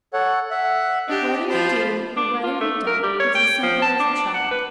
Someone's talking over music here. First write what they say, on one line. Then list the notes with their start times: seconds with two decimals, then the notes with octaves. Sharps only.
Whether you do or whether you don't, he's as simple as a child.
0.13 A4 C#5 F#5
0.51 E5 F#5
1.08 D4 G4 D#5
1.49 F3 C5 A5 B5
2.17 D4
2.43 F4
2.61 A3
2.87 A#4
3.03 G3
3.20 C#5
3.35 G5
3.63 F3
3.82 A5
4.00 D4
4.34 F#5
4.51 B4